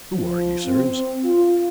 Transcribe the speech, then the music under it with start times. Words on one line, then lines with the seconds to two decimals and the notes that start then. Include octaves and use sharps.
"Who are you, Sirs?"
0.12 F3
0.65 C4
1.24 F4